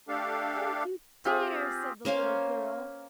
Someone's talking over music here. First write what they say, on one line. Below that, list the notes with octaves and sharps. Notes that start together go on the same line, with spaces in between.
"Oh, you dear!" said the little girl.
A3 D4 G4 A4 F5
C4 F4 G4 G#4
A#3 C#4 C5 F5